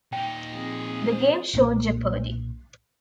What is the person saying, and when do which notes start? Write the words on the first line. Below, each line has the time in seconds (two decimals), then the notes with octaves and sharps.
The game show Jeopardy!
0.13 A#2 D#4 G5
0.53 F3 C4 G#4
1.05 C5
1.54 B1 A#2 D3 A#3